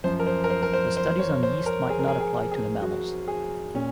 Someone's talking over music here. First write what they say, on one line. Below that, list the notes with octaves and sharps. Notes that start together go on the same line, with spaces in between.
The studies on yeast might not apply to the mammals.
F#2 F3 C5
A#4
C5
A#4
C5
A#4
C5
C5
C#5
C5
A#4
G#4
A#4
G#4
G#4
G#4
F#4
G#4
A#2 C#4